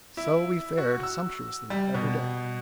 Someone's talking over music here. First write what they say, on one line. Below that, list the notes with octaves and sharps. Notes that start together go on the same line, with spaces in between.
So we fared sumptuously every day.
E4
F#4
E6
G3
B2